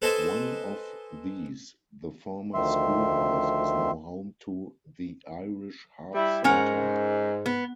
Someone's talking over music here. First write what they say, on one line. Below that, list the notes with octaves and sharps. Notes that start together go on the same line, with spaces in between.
One of these, the former schoolhouse, is now home to the Irish Harp Centre.
A4 B4 C5 D#5 G#5 A5
D2 D#3 F3 E5 C6
G3 E4
G#2 C#4 A#4 F#5
B3